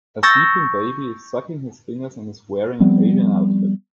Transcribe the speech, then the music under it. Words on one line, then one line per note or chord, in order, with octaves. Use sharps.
A sleeping baby is sucking his fingers and is wearing an asian outfit.
C#6 E6 G6 A6 A#6
F3 G3 B3 C4